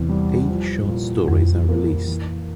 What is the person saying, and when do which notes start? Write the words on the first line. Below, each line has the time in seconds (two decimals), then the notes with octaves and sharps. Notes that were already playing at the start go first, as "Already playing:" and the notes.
Eight short stories are released.
Already playing: E2 C3 C4
0.09 G3
0.49 F3
0.88 A#2
1.28 F2 A#2
1.69 A#3
2.08 E3